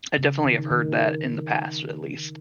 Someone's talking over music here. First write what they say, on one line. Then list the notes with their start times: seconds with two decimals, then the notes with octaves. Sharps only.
I definitely have heard that in the past at least.
0.19 C#3
0.44 D#3
0.71 D#3